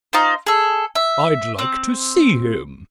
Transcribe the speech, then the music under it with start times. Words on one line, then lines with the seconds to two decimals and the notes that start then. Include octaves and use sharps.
"I'd like to see him."
0.13 D#4 F4 C5
0.46 G#4 A4
0.95 E5
1.59 C4